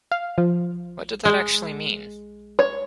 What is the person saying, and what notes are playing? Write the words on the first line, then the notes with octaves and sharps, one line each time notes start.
What did that actually mean?
F5
F3
G#3
C#5